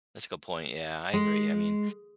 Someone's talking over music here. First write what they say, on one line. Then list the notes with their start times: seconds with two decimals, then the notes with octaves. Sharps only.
That's a good point, yeah, I agree. I mean
1.13 G#3